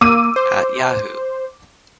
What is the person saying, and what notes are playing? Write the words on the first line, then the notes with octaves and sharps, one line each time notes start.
At Yahoo!
A#3 D6 E6 D#7
C5